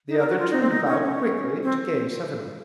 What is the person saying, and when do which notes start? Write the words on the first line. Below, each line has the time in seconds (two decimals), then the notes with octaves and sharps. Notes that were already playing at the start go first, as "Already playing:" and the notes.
The other turned about quickly to gaze heavenward.
0.09 D#4
0.19 A#4
0.29 F#4
0.39 F4
0.50 D#4
0.60 C4
0.70 D#4
0.86 C#4
1.02 C#4
1.63 C4